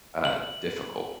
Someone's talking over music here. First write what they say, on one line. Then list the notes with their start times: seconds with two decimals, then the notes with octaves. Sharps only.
uh, difficult.
0.25 F#7